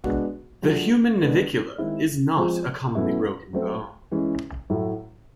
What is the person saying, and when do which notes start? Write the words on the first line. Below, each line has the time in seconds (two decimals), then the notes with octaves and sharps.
The human navicular is not a commonly broken bone.
0.04 B2 G#3 B3 D4 F#4
0.62 F#3 A3 D4 F4 G#4
1.20 D#3 G#3 B3 D4
1.78 D#3 G#3 C4 E4
2.37 F3 G#3 C4 F4 G#4
2.95 B2 F#3 A3 C#4 E4
3.53 F#3 A3 C4
4.12 E3 G#3 C#4
4.70 A2 F#3 A3